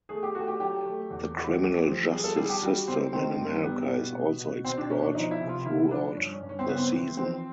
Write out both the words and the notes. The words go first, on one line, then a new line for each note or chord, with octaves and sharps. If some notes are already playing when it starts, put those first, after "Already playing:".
The criminal justice system in America is also explored throughout the season.
A3 G#4
G4
A3 F#4
G4
F#3 G4
A3
E2
E2
A3
F3
G3 G#4
A4
G3 G#4
G4
G3 F#4
C#3 C4
D#3 C4
G2
G3 B3
B2
B2
B2
B2 C4
D4
B2 C#4
D4
F3 D#4
E4
C3
F4
D3 E4
F3 D4
G2 C#4
C#4
G2
C#4
C4
C#3 B3
C4
E3
F3 C4